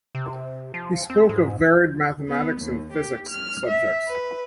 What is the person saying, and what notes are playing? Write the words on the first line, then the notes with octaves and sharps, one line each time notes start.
He spoke of varied mathematics and physics subjects.
C3
F3
C4
G#2
B3
D#2
G4
F6
E5
B4